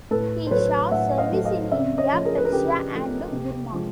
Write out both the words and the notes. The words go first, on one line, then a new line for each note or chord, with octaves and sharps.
He saw service in India, Persia and Burma.
A2 A4 B4
C5
F#3 A3 B4 C#5
A2 E5 F#5
D#5 F5
F#3 A3
D#5 F5
C#3 D5 E5
C#5 D#5
F3 A3
G#4 A#4
B4
A#4
C#3 G4 A4
F3 A3
C3
F3 G#3